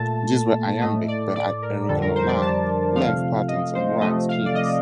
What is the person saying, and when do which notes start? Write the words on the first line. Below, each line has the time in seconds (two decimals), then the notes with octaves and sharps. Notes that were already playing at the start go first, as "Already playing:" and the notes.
These were iambic, but had irregular line length patterns and rhyme schemes.
Already playing: A#2 A3 A5
0.81 A2 A3 D#5
1.08 D5
1.36 D5
1.62 A#4
1.88 F2 D3 G3 A4
2.02 A#4
2.16 C5
2.28 D5
2.42 A5
2.94 C3 F3 A3 F5
3.48 D#5
3.75 C5
4.01 C3 F3 A3 D#5
4.29 F5
4.46 D5
4.55 D#5